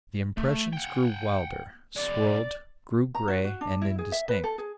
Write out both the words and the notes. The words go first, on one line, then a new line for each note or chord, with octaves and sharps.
The impressions grew wilder, swirled, grew gray and indistinct.
A3
F#5 G5
G#3 D4 D5
A#5
F#4
F#4
D4
E4
G#4
E5
B4
A4
G#4